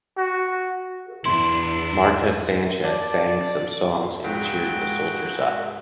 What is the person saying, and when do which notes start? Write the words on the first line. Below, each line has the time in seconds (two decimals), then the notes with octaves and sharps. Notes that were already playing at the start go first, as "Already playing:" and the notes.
Marta Sanchez sang some songs and cheered the soldiers up.
0.17 F#4
1.25 E2 D4 E4 C6
2.84 D5 A5
4.24 C#2 G#2 F#4 G#4 G5